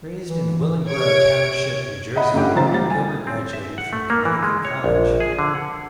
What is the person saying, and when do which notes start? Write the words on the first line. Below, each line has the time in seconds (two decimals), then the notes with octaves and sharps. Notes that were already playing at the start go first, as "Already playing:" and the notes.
Raised in Willingboro Township, New Jersey, Gilbert graduated from Connecticut College.
0.28 E3
0.89 C3 C#5 G#6 D7
2.16 D#5 E5 F#5 B5
2.34 G2 C#3 A3 E4 G4 F#5
2.56 B1 C#3 E3 C5 A#5 A6
2.72 G3 A6
2.90 G#5
3.27 C4
3.53 E5
3.78 F#5
3.93 A3
4.10 A#3
4.25 E3
4.43 G#3
4.65 C#5
4.84 A#1
5.20 G#4
5.39 D3
5.55 F#5